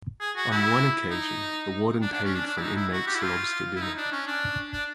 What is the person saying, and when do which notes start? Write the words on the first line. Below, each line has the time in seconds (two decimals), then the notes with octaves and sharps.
On one occasion, the warden paid for an inmate's lobster dinner.
0.21 G#4
0.36 F#4
0.51 E4
1.11 D#4
2.01 D4
2.12 D4
2.24 C#4
2.35 D4
2.47 D4
2.57 E4
2.62 D#4
2.76 E4
2.92 F#4
3.07 G4
3.15 E4
3.21 F4
3.76 E4
3.81 D#4
3.97 D4
4.12 C#4
4.27 D4
4.72 D4